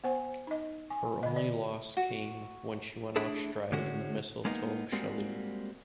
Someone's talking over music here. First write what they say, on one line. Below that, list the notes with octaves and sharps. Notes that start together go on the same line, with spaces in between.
Her only loss came when she went off stride in the Mistletoe Shalee.
B3 C5 G#5
D#4 D#5
G#5
D3 D#5
D5
F#4
A3 D4 E4 G#4 A4
A2 D3 G#3 C#4 F#4
G#3 A#3 B3 D#4
G3 G#3 A#3 C4 F#4